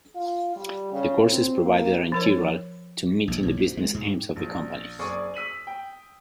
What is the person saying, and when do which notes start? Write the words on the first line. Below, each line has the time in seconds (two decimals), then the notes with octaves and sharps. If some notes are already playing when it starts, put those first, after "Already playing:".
The courses provided are integral to meeting the business aims of the company.
0.15 F4
0.56 G3
0.92 C#3
1.28 C4
1.65 A#3
2.12 F3 A#4 C#5
3.28 A#1
3.43 B1
3.57 G#2
3.77 G#3
3.94 G#2
4.36 A#1
4.99 F#1 G#4 D5 C#6 D#6
5.34 E6 B6 D#7 F#7
5.67 G5